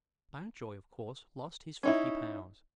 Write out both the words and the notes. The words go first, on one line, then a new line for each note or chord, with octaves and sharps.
Mountjoy of course lost his fifty pounds.
C#4 D#4 E4